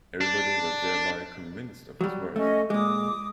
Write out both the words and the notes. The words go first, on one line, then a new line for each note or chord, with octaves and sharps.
Everybody was thereby convinced of his worth.
D4
F#3 G3
A3 C#4 D#5
A#2 G#3 D6 D#6